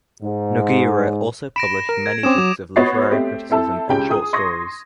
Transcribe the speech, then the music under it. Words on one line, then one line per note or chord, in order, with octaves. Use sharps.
Nogueira also published many books of literary criticism and short stories.
G#2
B5 A#6 D7 E7
A#4
G#6
C4 C#4 D6 D#6 E7
F#3 D6
B3 F#4 C#5 D#5 A6 C7
A3 C4 G4
C4 E4 A4 A5 E6
C#2 G#3 C#4 G4 G5
G#4 D#6
C6 C#6 D#6 G#6 A#6